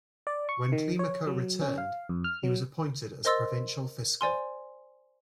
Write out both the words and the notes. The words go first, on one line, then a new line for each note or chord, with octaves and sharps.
When Climaco returned, he was appointed as provincial fiscal.
D5
C#6
D#3
C#5
F#3
C#4
F5
F2
F6
F#3
A#4 C5 D#5 C6 E6 A6
C5 D5 G#5 C6